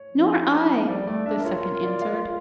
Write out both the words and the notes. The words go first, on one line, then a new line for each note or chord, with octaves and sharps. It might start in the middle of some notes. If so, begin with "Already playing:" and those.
"Nor I," the second answered.
Already playing: C#5
F3
G3 D5
A3 D5
D4 E5
A#4
F4 C#5
A#4
D5
F5